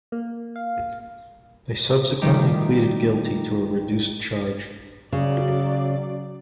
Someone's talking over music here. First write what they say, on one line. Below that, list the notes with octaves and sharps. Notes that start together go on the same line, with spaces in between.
They subsequently pleaded guilty to a reduced charge.
A#3
F5
A2 D#3 F3 G3 D#4 G4
C#3 F#3 D5